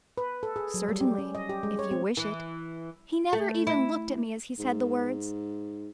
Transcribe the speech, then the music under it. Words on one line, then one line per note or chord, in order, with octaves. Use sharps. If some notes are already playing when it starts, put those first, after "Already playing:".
'Certainly, if you wish it.' He never even looked at me as he said the words.
B4
A4
G#4
F#3
G3
G4
C#4
D#5
G4
G#3
C#5
C4
E3
A3
E4
G#2